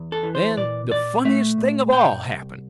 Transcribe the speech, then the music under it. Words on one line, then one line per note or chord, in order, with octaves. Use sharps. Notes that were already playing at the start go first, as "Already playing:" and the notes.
Then the funniest thing of all happened.
Already playing: E2
A4
E3
C5
A#2 D5
A#2 D5
A3 E5
A#2
A#2 G5
C2